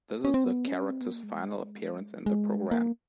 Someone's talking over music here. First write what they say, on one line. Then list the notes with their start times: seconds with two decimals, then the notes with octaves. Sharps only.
This is the character's final appearance in the programme.
0.25 C#4
0.34 C4
0.44 B3
0.68 C#4
0.90 C4
1.01 B3
1.13 A#3
1.23 G#3
2.26 G#3
2.71 A#3